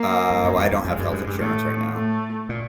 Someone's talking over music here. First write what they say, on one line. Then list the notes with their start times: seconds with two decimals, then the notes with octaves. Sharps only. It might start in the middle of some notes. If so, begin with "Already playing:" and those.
Uh, well, I don't have health insurance right now.
Already playing: A#3
0.30 G2
0.45 F#2
0.58 F2
0.72 E2
0.85 F2 G#3
0.98 F#2
1.13 G2
1.27 G2
1.40 A2 A3
1.95 A3
2.49 A#2